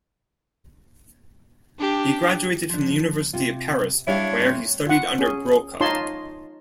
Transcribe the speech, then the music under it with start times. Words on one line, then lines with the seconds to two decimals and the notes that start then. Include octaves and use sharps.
He graduated from the University of Paris where he studied under Broca.
1.78 D4 G4
2.69 F3 D4
3.33 C3 F4
4.07 G3 D4 E4 G4 C#5 F5
4.39 A3 C4 C#4
4.87 F4 F#5
5.19 C#4 G#4
5.80 D#4 F4 C#5 D#5 A5 C6